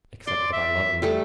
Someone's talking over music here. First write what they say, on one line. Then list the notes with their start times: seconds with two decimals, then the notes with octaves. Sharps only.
"Except that I love you."
0.27 D5 C6
0.53 E5
1.02 G3 A3 A4